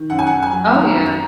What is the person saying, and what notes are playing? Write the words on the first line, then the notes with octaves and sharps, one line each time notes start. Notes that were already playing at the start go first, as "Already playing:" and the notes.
Oh, yeah.
Already playing: D#3
F#2 F#5
G#5
F#5
F#2
G#5
F#3
D#3 A#5
F#2
A#5